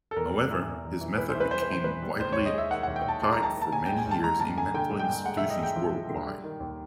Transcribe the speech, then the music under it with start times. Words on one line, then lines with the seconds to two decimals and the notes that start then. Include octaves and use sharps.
However, his method became widely applied for many years in mental institutions worldwide.
0.11 A4
0.16 E2 A#4
0.33 G3
0.50 E3
0.67 E2
0.85 E2
1.01 E3
1.18 E2 B4
1.29 C5
1.35 E3
1.40 B4
1.51 G3 C5
1.62 B4
1.69 E3 C5
1.84 E2 B4
2.03 G3
2.20 D#2 C5
2.33 D#2 C#5
2.46 D#5
2.53 G#3 E5
2.71 D#3 F#5
2.83 D#2 F#5
2.96 G5
3.05 D#2 A5
3.21 G#3 A5
3.33 A#5
3.39 D#3 A5
3.56 D#3
3.62 A5
3.72 D#2 G#5
3.86 G#3 G5
3.98 G#5
4.06 D#2
4.11 A5
4.23 G#3 A#5
4.40 G2 A5
4.57 D3 G#5
4.74 D3 G5
4.90 G2
4.99 G5
5.08 G2
5.25 G#3 F#5
5.37 G2 E5
5.50 D#5
5.59 G#3 G5
5.76 F3
5.93 G#3
6.10 D3
6.27 G3
6.44 D#3
6.60 D#2